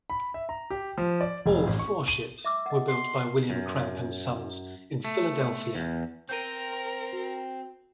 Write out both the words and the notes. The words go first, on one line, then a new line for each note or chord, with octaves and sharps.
All four ships were built by William Cramp and Sons in Philadelphia.
B5
E5
A#5
G4
F3
D5
F1
A1
C#6
D#7
E5 D6 E6
D#5 F#5
C6
F#2
A3
E2
C4 A#4 G6 D#7
F#4